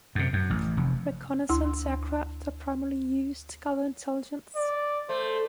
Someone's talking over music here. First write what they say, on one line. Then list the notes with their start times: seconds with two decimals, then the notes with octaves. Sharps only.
Reconnaissance aircraft are primarily used to gather intelligence.
0.15 F#2 C3
0.33 F#2
0.50 A1
0.77 F1
1.49 D2 E4 C6
4.56 D5
5.09 A3 C5